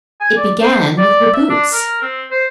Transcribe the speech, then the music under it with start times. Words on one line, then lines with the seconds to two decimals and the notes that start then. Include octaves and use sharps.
It began with her boots.
0.21 G#5
0.37 D5
0.61 C5
0.98 D5
1.33 E5
1.49 D4
1.73 A#4
2.02 C4
2.31 C5